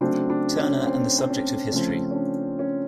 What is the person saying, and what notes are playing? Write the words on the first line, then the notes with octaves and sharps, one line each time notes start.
Turner and the Subject of History.
C#3 F#3 A3 C4 D4
D4
C#4
C4
C4
C#4
C#3 F3 A3 C4 C#4
C#4
D4
C#4